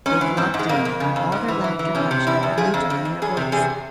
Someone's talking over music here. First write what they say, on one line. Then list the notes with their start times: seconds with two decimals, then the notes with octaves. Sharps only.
They flocked in, all their laughter hushed by the new tone in her voice.
0.06 G#2 C#4
0.21 E3
0.37 G#2 C4
0.54 G#2
0.59 G#3
0.69 F2 A#3
0.85 F2
1.00 C#3
1.16 F2
1.32 G#2
1.48 E3
1.64 E3
1.79 E3
1.95 C3 C#4
2.11 C3
2.27 E2 E4
2.43 E2
2.58 F3 G#4
2.74 F2
2.90 F2
3.05 F2
3.22 E2 G#4
3.37 C3
3.52 E2 G#4